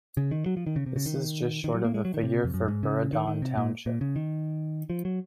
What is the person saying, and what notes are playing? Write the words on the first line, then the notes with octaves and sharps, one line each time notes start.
This is just short of the figure for Burradon township.
C#3
D#3
F#3
F3
D#3
C#3
C3
C#3
D#3
D#3
F#3
A#3
G#3
F#3
D#3
C3
F2
F#2
G#2
C#3
D#3
D#3
C3
A#2
A#2
C#3
D#3
F3
F#3